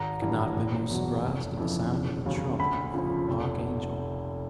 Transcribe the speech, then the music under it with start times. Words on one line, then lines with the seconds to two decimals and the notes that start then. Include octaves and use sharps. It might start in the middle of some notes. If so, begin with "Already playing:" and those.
I could not have been more surprised at the sound of the trump of the Archangel.
Already playing: G#1 A#5
0.22 G2 E3 G3
0.56 E1
0.90 E2 B2 F#3
1.24 F1
1.57 F2 C#3 E3
1.91 E1
2.26 D#2 C#3 F#3
2.59 D2 B5
2.94 C#3 F3
3.28 F1